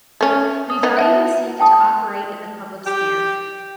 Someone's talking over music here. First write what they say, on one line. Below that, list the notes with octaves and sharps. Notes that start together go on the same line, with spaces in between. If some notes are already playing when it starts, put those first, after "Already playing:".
We value and seek to operate in the public sphere.
A3 C#4
D#6
B3 D#4
E5 F#5 A5
G5 A5 D#6
G4